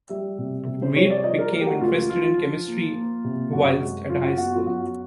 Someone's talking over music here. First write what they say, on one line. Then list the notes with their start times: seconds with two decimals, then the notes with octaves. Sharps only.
Reid became interested in chemistry whilst at high school.
0.10 G3 E5
0.38 C3
0.67 C3
0.82 C5
0.95 G3 C#5
1.10 D5
1.24 F3 D#5
1.39 A#4
1.53 A3 A#4
1.60 G4
1.67 F#4
1.81 C#2 F4
2.10 F3 F4
2.38 F3
2.67 A#3
2.95 A#3
3.24 C3
3.53 F#2 F#4
3.82 G#3
4.10 F#2 F4
4.24 F#4
4.38 B3 F#4
4.53 F4
4.67 F#2 F#4